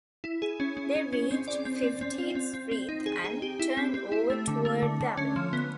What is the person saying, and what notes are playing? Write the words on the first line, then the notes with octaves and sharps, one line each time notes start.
They reached Fiftieth Street and turned over toward the Avenue.
E4
G#4
C#4
C#4
C#4
C#4
C4
D5
C4
C4
C4
F4
C4
C4
C4
D#4
G#4
G#4
G4
E4
C4
C4
E4
A3
D3
A3
D3
D3
C#4
F3
B3